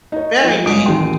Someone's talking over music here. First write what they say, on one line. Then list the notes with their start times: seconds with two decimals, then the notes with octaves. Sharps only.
Very dangerous.
0.12 D#4 C#5
0.42 F3 D#4
0.65 G2 F#3 G#3 D#6 D7
0.86 A1 D#2 F#3 G#4 G5 C6